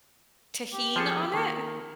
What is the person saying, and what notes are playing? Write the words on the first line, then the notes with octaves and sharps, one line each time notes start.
tajin on it?
G4
F3 G#4 A4
D#3 A#3